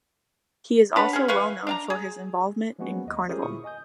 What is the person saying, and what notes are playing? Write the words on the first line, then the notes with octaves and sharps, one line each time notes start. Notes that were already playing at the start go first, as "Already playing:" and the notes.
He is also well known for his involvement in Carnival.
D4 B4 C#5 F#5
C#4 G#4
E3 B4 F5 C#6
D4 F5 A#5
G#4
F3 G#3 A#3 B3 C#4 F#4
D#2 D#5
C#4 F4 G4 G#4 A#4 C5
A#2 D3 E4 C#6 D#6
D#5 G#5 D#6 G6